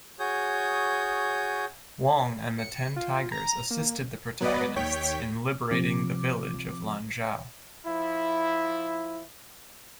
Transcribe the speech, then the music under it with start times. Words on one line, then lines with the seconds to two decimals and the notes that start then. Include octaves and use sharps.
Wong and the Ten Tigers assisted the protagonists in liberating the village of Lanzhou.
0.19 F#4 G#4 C#5 D#6 G6
2.58 C#7
2.96 F4
3.32 A#5
3.71 A#3
4.41 F#3 B3 B4 D5 D#5
4.76 D#2 C#5 G5 B6
5.71 C3 F3 D6
7.86 F3 E4